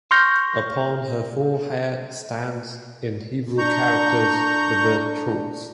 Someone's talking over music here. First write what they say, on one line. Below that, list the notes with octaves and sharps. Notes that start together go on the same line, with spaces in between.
Upon her forehead stands, in Hebrew characters, the word truth.
C6 C#6 F6 G6 A#6
D4 A#5 C#6 G6